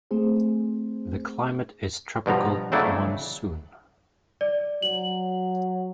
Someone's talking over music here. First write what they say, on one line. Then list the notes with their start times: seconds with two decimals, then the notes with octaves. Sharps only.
The climate is tropical monsoon.
0.11 A3 C4 G#4 C5
2.26 G2 B2 F3 A#5
2.72 F2 C#3 F#3 A3 D4 E4
4.41 D5
4.82 F#3 F#7